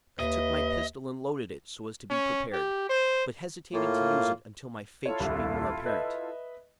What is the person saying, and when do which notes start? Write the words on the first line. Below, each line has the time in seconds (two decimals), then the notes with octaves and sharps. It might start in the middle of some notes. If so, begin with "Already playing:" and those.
I took my pistol and loaded it, so as to be prepared, but hesitated to use it until my fate should be more apparent.
0.19 D#2 B4 D#5 E5
2.10 C#4
2.53 G4
2.89 C5
3.74 A2 A#3 F4
5.06 E4 F4 A4 C#5
5.19 D#1 C2 G2
5.86 B4 D#5 E5